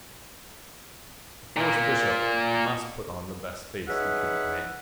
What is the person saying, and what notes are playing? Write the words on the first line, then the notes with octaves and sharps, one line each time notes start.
Perforce Bishop must put on the best face he could command.
A#2 A#3
C#4 D#4 G#4 B4 E5 F#5